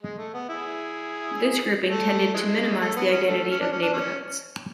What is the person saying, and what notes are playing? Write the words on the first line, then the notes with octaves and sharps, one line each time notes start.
This grouping tended to minimize the identity of neighborhoods.
G#3
A3
B3
E4 G#4
A3
E3 G#3
A3
B3
C#4
D3 F#3 A3
C#4
D4
C#4
D4
C#4